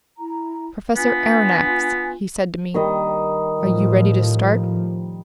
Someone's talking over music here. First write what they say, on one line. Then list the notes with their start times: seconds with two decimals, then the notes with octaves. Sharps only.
"Professor Aronnax," he said to me, "are you ready to start?"
0.18 E4 A#5
0.96 B3 D4 F4 G#5
2.74 D#3 G3 D#5
3.58 A2 F3